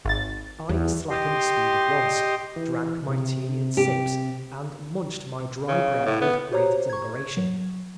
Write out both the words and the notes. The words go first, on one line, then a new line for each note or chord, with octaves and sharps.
I slackened speed at once, drank my tea in sips, and munched my dry bread with great deliberation.
G#1 A6
E2
G4 D#5 C6
E3
C3
G4
C#3
A2
B3
F#4 G4 C5 C#5 A#5
C#6 G#6
F#3